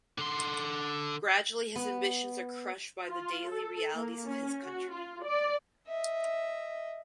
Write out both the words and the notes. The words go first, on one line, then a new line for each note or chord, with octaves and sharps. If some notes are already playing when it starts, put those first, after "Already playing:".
Gradually his ambitions are crushed by the daily realities of his country.
D3 C6
B3
F4
A4
A#3
C#4
F#4
F4
D5
D#5 E5